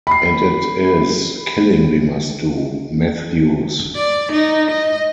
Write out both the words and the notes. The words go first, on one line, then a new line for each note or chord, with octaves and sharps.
And it is killing we must do, Matthews.
B5 C7
D5
D#4
D#5